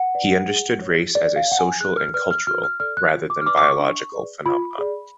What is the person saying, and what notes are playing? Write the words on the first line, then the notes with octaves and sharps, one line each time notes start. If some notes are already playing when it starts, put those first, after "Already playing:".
He understood race as a social and cultural, rather than a biological phenomenon.
Already playing: F#5
B4 D5
G#4
C#5
G#4 D5
F5
D5 F#5
G#5
G#4 F#6
F6
B4 D5 F6
F6
F#4 F6
F6
A4 D5 F6
F#6
F4
D6
F6
B4 D5 D6
D6
C#6
D4
G#4 B4 D5
F4 B5
G#4 D5